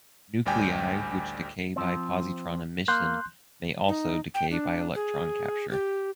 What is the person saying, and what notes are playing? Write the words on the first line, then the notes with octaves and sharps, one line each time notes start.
Nuclei which decay by positron emission may also decay by electron capture.
A1 D2 G3 G4 G5 G#5
F3 C4
A#3 C6 F#6 G6
D#4
G5
D4
G#4
G4